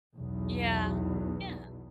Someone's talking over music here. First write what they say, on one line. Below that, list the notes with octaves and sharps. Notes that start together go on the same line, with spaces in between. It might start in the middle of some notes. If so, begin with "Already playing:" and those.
Yeah, yeah.
B1 E2 B2